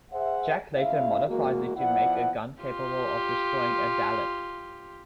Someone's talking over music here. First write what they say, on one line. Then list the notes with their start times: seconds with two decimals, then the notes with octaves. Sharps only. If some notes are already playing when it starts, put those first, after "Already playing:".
Jack later modifies it to make a gun capable of destroying a Dalek.
0.12 G#4 C5 E5 F#5
0.75 C#2 E4 E5 F5
1.27 E2 G#3 A#3 F#4
1.76 F3 B3 E4 D5 F#5
2.63 F4 G4